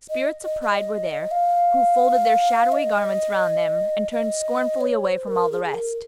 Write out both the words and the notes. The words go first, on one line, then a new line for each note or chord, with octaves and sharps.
Spirits of Pride were there, who folded their shadowy garments round them, and turned scornfully away from all the rest.
D#5
D#5
D#5
F5
D#5
D#5
C#5
C5
A#4
G#4
G#4
A#4